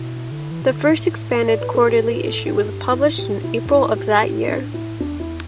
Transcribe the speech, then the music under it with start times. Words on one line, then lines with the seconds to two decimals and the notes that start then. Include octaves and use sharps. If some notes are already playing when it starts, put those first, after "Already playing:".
The first expanded quarterly issue was published in April of that year.
Already playing: B2 E4
0.31 D3
0.51 E3
0.62 B2
0.71 D3
0.91 A2
1.48 D5
1.61 B4
1.75 A4
1.88 G4
2.07 B4
2.27 A4
2.46 G4
2.57 A4
2.66 G2 G4
2.92 E4
3.04 A2
3.18 G4
3.43 B2 E4
3.66 E2
3.70 G2 E4
3.83 A2
3.96 G4
4.22 G4
4.48 D4
4.74 E4
5.00 E2 D4
5.20 E4